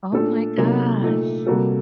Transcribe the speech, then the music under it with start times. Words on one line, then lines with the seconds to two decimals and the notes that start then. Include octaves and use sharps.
Oh my gosh.
0.12 A#2 A3 D4 A4
0.57 C3 F#3 A#3 D#4
1.02 A#2 A3 D#4
1.47 C3 G3 A#3 F#4 A4